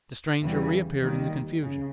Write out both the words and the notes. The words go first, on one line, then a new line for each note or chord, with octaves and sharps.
The stranger reappeared in the confusion.
E2 C#3 E3 G3
D#2 D#3 G3
C#3